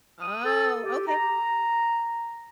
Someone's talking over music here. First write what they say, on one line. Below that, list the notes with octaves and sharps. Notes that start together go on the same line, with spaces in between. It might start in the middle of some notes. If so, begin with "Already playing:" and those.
Oh, okay.
D#6
A4
G4
A#5